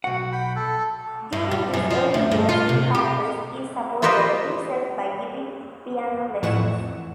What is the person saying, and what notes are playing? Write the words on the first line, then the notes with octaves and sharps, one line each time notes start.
During his early years in Paris he supported himself by giving piano lessons.
B1 F#4 F#5
G5 B5
A4
G2
G3
F#2
F3
D2
G2
F4
C3
G4
A#3 F4 G4 B4 C5 D#5
F2 A2 E3 F#5 C#6 E7